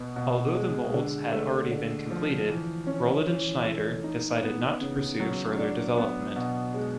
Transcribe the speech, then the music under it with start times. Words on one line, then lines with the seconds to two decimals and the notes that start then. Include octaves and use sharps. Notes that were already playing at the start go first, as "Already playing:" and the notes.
Although the moulds had already been completed, Rolladen-Schneider decided not to pursue further development.
Already playing: B2 B3
0.16 B2
0.55 G#3
0.94 D3
1.32 A3
1.71 D3
2.10 F3
2.48 E3
2.87 C#4
3.26 E3
3.65 A3
4.04 D#4
4.43 B3
4.81 C#3
5.20 F#3
5.58 D4
5.97 B3
6.36 B2
6.74 G#3